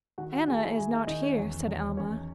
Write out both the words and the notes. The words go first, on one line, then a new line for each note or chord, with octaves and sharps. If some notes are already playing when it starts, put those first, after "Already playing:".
"Anna is not here," said Alma.
D#3 F#4 F#5
F#4 F#5
D#3 G#4 G#5
E4 E5
D#3 G#4 G#5
E4 E5
D#3 D#4 D#5
C#4 C#5
E2
E2
E2 C#4 C#5